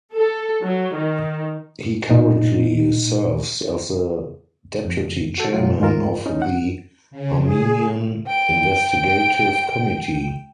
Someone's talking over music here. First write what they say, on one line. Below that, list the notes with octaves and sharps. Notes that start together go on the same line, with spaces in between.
He currently serves as the deputy chairman of the Armenian Investigative Committee.
A4
F#3
D#3
A#2 D#4
F2
F#4 A4
F#2 B2 F#3 F4
G#2 G#3 A3 F4 A#4
C#4 D#4
F#5
C#3
G#4
G5 D7